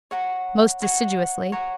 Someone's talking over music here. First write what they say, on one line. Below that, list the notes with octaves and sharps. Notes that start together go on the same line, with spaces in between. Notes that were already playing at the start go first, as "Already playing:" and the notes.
Most deciduously.
C#5 F#5 A#5
C#5 F#5 A#5
C#5 F#5 A#5